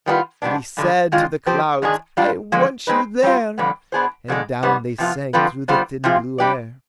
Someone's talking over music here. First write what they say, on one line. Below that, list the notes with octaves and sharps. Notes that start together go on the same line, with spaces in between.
And he said to the clouds, "I want you there." And down they sank through the thin blue air.
D#3 G3 B3 D4 F4
G#2 G3 B3 D4
G2 D3 G#3
G#2 D#3 G#3 D4 F4
F3 C4 G4 C5
G#2 D#3 G#3 D4 G#4
G3 D4 F4
D3 F3 G#3
G#3 C4 D#4 B4
G3 C4 F4
F2 D3 G3 B3
B2 B3 D4 G#4 C5
F2 D3 G#3
G#2 G3 B3
C3 F3 B3 F4
D3 F3 C4 F4 B4
D3 G3 B3 F4 C5
C3 F3 C4 F4 G#4
G3 D4 G4 D5